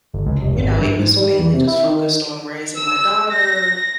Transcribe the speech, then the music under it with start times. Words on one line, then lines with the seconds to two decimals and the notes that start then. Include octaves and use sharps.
you know, it was mainly just focused on raising my daughter,
0.14 G1
0.26 C#2
0.41 F1
0.55 G#1
0.79 G2
0.99 G#2
1.16 G3
1.39 E2
1.54 C3
1.67 E4
1.83 D#3
2.77 E6
3.33 A#6